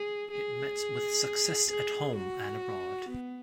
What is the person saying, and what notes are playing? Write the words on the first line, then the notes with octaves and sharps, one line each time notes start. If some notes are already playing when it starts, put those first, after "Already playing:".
It met with success at home and abroad.
Already playing: G#4
G#4
G#4
F#4
B3